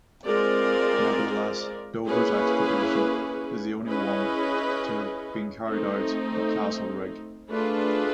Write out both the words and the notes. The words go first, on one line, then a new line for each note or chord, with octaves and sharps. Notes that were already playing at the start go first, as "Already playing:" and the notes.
Nevertheless, Dover's excavation is the only one to have been carried out at Castlerigg.
G#3 C4 F4 A#4 D5
A#3 C#4 E4 G#4 B4
C#4 E4 G#4 B4 D#5
A3 C4 D#4
A3 D4 F4 G#4 B4